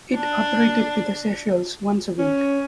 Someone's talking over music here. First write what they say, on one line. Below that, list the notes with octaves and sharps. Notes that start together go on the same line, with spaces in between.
It operated to the Seychelles once a week.
D4
C#4